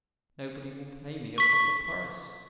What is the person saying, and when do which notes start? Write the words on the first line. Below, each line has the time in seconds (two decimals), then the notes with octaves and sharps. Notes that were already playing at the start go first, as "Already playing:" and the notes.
"Nobody will pay me a proper price."
1.38 C#6 B6